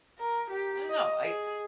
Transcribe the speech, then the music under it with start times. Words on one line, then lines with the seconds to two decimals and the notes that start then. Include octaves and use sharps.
I don't know, I
0.19 A#4
0.50 G4
0.89 D#5
1.22 G#4